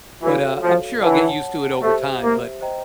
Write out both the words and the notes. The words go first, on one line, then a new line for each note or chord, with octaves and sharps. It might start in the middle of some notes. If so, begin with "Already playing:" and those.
but, uh, I'm sure I'll get used to it over time, but
E3 F#4 A4 C#5 F5
F3
E3 C#5 F#5 A5
A3 G4 C5 E5
A#3
C5 D#5 G5 A#5